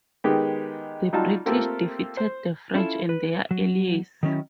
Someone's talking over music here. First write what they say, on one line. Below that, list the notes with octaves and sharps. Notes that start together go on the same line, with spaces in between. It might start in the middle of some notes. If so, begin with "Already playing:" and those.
The British defeated the French and their allies.
D#3 G#3 B3 D#4 G4 G#4
F#3 G3 D#4 F4 A5
A3 A#3 C4 F4 G4 A4
C5
C#4 E4 F4 A4
B4
F#3
D#3 F#3 C#4 E4